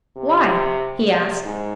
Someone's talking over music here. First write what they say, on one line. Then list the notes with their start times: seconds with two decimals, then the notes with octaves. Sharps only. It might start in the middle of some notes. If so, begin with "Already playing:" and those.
"Why?" he asked.
0.17 C3
1.03 C3
1.45 G#2